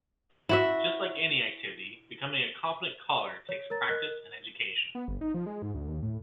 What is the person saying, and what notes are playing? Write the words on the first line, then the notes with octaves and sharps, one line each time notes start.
Just like any activity, becoming a competent caller takes practice and education.
E4 F#4 E5
C#5
A#4 C#5 A#5 A6
A#4 D#5 F#6
B3
G1
D#4
F3
G#3
G#2
D2
D#2
A2